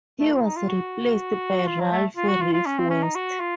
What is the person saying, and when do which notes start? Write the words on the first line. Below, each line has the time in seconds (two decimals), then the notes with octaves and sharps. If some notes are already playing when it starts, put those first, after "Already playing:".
He was replaced by Ralph "Riff" West.
0.20 A3
0.32 F4
0.44 D#4
0.57 F4
0.69 F#4
1.67 F4
1.80 F#3
1.92 A3
2.17 F4
2.29 F#4
2.41 F4
2.53 F4
2.66 C#4
2.78 C4
2.90 C#4
3.03 D#4
3.15 F#4
3.40 F4